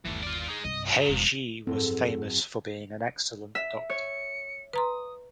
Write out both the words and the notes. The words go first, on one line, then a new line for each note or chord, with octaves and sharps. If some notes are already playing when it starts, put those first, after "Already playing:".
He Zhi was famous for being an excellent doctor.
G1 D#2 E3 A3
F4 D5
D#4 G#4
C2 G2 D#5
F#1 F3 F#3
E1 F2
F#1 G#2 C4 A4
E5
C#5 C#7
B4 A#5 C6 D#6